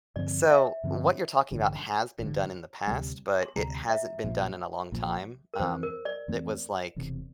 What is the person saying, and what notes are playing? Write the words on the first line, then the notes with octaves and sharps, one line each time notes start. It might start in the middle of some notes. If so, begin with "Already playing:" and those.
So what you're talking about has been done in the past, but it hasn't been done in a long time, um, it was like,
G2 D3 F3 C4 D5
E5
G2 D3 F3 C4
A1 G2 D3
A1 G2 D3
D2 C3 G3
C6
D2 C3 G3 A#5
E5
A#1 A#2 F3
A#1 A#2 F3
A#4
F2 E3 A3 C4 C5
A#4
D5
F2 E3 A3 C4
E1 E2 C3